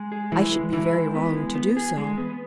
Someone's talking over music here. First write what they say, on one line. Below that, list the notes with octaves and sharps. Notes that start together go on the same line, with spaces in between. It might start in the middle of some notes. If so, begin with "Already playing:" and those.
I should be very wrong to do so.
Already playing: G#3
G#4
E3 G#3
G#3
E3 E4
G#3
B3
G#3
B3
G#4
G#3
B3